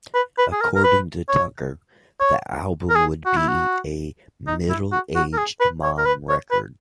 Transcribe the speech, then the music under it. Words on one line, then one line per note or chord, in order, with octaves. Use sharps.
According to Tucker, the album would be a "middle-aged mom record".
B4
B4
G#4
A#4
A#4
B4
C#5
C#5
A#4
G#4
F#4
E4
F#4
D#4
E4
F#4
F#4
A#4
G#4
B4
C#5
A#4
B4
C#5
B4